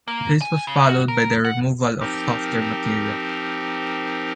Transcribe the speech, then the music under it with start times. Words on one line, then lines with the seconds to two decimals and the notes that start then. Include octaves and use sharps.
This was followed by the removal of softer material.
0.08 A#3
0.41 G#5
0.67 C#3
0.89 F#4
1.08 A#4
1.45 F#5
2.00 F3 C4 D#4 G4 A#4